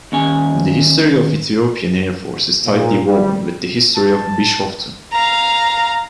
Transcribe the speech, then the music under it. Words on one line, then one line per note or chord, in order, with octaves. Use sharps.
The history of the Ethiopian airforce is tightly woven with the history of Bishoftu.
D#2 C#4 G#5
A#2
G3
A5
F5 A#5